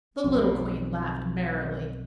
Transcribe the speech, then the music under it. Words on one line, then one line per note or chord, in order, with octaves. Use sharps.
The little Queen laughed merrily.
B1 F2 B2